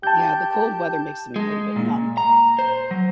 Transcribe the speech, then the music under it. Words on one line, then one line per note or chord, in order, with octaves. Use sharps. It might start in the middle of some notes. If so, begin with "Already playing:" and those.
Yeah, the cold weather makes them a little bit numb.
G4 A5 G6
G#3
A#2
A#5
C5
F#3